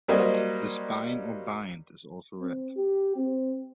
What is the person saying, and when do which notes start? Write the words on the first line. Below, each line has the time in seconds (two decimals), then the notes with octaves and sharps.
The spine or bind is also red.
0.08 F#3 G3 A#3 C5 D#5
2.39 C4
2.77 G4
3.16 C4